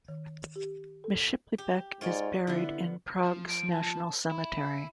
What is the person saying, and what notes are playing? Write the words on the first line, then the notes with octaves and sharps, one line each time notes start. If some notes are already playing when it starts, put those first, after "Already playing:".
Myslbek is buried in Prague's National Cemetery.
D#3
G4
A4
G4
G#2 F4 C#5 D5
D3 B3 E4
F3
D7
A5
E4 B5